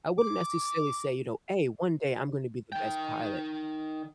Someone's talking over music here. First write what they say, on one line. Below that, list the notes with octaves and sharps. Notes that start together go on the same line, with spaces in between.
I wouldn't necessarily say, you know, "Hey, one day I'm gonna be the best pilot,"
D6
D#3 G5